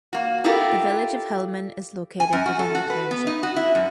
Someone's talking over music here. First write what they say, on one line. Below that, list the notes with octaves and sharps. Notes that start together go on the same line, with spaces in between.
The village of Hillman is located within the township.
A#3 F#4
D4 E4 F4 G4 A4 A#4
G#5
F#2
F#4
A4
F#4
B4
B3
D#4
F#4
E4
F#2